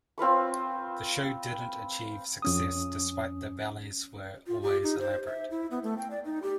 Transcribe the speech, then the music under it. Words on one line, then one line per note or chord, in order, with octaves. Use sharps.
The show didn't achieve success despite the ballets were always elaborate.
C4 F4 B4 C#6
F2 C#4 D#6
F4
G4
D#4
C5
E5
E4
B3
A3
G5
D5
D#4
G4